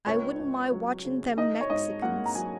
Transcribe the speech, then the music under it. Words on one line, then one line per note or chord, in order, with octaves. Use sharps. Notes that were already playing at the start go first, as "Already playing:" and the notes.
I wouldn't mind watching them Mexicans.
C#2 C#5
C#2
F#3
C#3
D#4 D#5
C#5
G#2 D#5
A#3 F#5
A#5
F#3 G#5